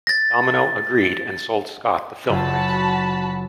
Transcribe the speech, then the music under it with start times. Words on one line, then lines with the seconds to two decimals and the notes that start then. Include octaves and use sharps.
Domino agreed and sold Scott the film rights.
0.07 A6 A#6
2.29 F#1 F4 F#4 G#5 A5 B5